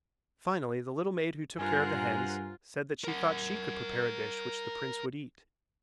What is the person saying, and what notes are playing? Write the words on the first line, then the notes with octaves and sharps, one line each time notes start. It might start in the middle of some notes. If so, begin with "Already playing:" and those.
Finally the little maid who took care of the hens said that she thought she could prepare a dish which the prince would eat.
G2 F4 A#4 C5 F#5 G#5
A#4 F#5